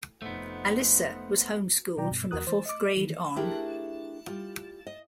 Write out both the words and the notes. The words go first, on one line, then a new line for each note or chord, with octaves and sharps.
Alyssa was homeschooled from the fourth grade on.
F1 A3 B3 D#4 C5 F#5
B2 D#3 F#3 D5 G5 A#5
G2 B2
E2 F#4 A#4 D#6 F#6
E3 C5
D#5 D6
D#3 E3
A3 D4 E4 G4 G#4 A#4
G3 F4
D#5